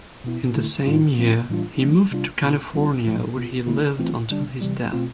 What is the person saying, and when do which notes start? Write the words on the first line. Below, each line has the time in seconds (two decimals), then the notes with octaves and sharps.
In the same year he moved to California, where he lived until his death.
0.24 B2 B3 E4
0.56 D3 A3 E4
0.87 A2 G3 D4 F4
1.18 F3 C4 F4
1.49 A2 E3 G3 D4 F4
1.81 F3 A3 D4
2.11 C3 G3 D4 F4
2.43 B2 B3 E4
2.74 D3 G3 C4 F4
3.06 A2 F3 A3
3.36 B2 B3 F4
3.67 D3 A3 E4
3.98 E3 A3 C4 F4
4.30 D3 G3 D4
4.61 C3 E3 G3
4.92 B2 A3 C4 F4